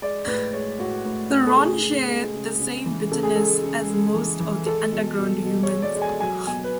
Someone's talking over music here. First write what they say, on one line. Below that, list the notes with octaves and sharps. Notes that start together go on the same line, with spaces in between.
The Ron share the same bitterness as most of the Underground humans.
G#3 D5
A2 B4
G#3 C#5
A2 F#4
A2
A2
A4
C#3 G#4
C#3
G#3
C#3
C#3
E3
C#3 A4
G#4
G#3 A4
C#3
G#3
E3
E3
G#3 A4
B2
B2
B2
C#5
G#3
D5
G#3
G#5
F#3 G#5
B2 G#5
B4